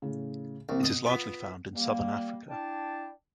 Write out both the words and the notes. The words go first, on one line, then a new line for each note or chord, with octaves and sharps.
It is largely found in southern Africa.
A2 C#3
C2 E3 A#3 C4
B2 D#6
B3 F4 B6
G3 A#3
D4 E4 G5 A5